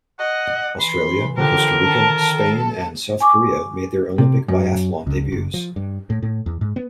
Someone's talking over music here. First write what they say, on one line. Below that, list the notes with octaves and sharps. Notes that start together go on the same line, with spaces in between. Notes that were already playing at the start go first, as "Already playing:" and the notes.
Australia, Costa Rica, Spain and South Korea made their Olympic biathlon debuts.
D#5 F#5
E3 B5 C6
D3 F3 G4 A#4
D#3 A5
A4
G#5 C#6 D6
C3
F#2
C#2
F#1
F3
G2
A2
A2
E2
G#2
B3